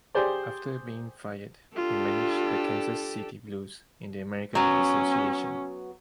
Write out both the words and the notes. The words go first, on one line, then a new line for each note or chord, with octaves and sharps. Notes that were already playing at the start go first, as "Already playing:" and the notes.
After being fired, he managed the Kansas City Blues in the American Association.
G4 G#4 C5 D5
D4 F4 G4 A4
F#3 B3 C#4